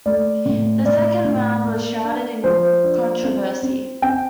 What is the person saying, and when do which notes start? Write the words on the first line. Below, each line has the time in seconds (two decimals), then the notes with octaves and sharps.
The second round was shrouded in controversy.
0.06 A3 D5
0.46 A2
0.85 A2 D5
1.25 A2
1.64 A#3
2.04 D4
2.44 F3 C5
2.84 D4
3.23 C4
3.63 C4
4.02 C4 G5